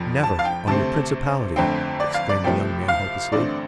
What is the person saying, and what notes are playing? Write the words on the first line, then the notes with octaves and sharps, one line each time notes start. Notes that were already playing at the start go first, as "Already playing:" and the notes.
"Never, on your principality!" exclaimed the young man, hopelessly.
Already playing: F1 F2 F3
A5
F5
G5
D2 C3 A3 C4 A5
G1 F2 D3 A3 C4 G5
D5
F5
D5
C2 C3 F3 A3 G5
F5
A1 G2 D3 A3 C4 D5